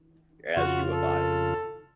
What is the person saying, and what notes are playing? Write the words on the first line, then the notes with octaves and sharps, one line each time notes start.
As you advised.
F2 C#3 F4 F#4
A4